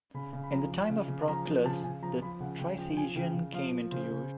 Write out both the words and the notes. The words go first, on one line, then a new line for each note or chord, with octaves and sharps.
In the time of Proclus the Trisagion came into use.
C#3 B5
C#3
B5
F3 A#5
F3
C#3
C#3
F3 A#5
F3
C#3 A5
C#3 G#5
F3 A#5
F3 B5
C#3 F#5
C#3 G5
F3 G5
G5
F3 G#5
C#3 G5
C#3
F3 F5
F3
C#3 C5
C#3